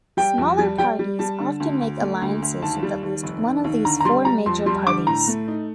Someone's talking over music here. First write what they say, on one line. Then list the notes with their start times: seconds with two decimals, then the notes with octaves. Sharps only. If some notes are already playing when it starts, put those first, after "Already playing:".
Smaller parties often make alliances with at least one of these four major parties.
0.17 G3 G5
0.38 F2
0.58 G3
0.78 G3 G5
0.99 G3
1.19 G3 A5
1.40 D3
1.60 D2
1.81 D2
2.01 A3
2.22 D2
2.42 D2
2.62 D#2 A5
2.83 G3
3.03 D#2
3.23 F1
3.44 D#3
3.64 D#2
3.85 D3 A#5
4.00 A#5
4.05 G3 C6
4.25 G3 A#5
4.46 F2 C6
4.66 G3 C6
4.87 D3 D6
5.07 A2 A#5
5.28 A3
5.48 D#4